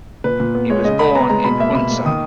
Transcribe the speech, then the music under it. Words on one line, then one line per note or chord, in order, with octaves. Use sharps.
He was born in Hunza.
A#2 B4
A#2
B3
G#3 C#5
C#3 D#5
C#3 B5
B3 A#5
G#3 A#5
B2 B5
A#3 E5
B2 B5
A#3
D#3 D#6